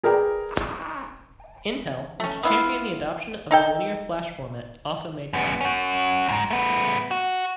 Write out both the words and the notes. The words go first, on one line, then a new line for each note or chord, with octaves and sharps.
Intel, which championed the adoption of the Linear Flash format, also made cards.
G#4 A#4 B4 D5 G5 A#5
A3 C#4
B3 E4 F4
D#4 A4 G5
F#2 B3
C#4 F#4
E2 G#2
A3 B3
F#4